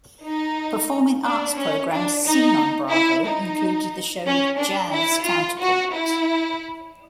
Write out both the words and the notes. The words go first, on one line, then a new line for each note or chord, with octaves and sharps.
Performing arts programs seen on Bravo included the show "Jazz Counterpoint".
D#4
D4
C#4
D4
D#4
E4
D#4
C#4
D4
E4
F4
F#4
E4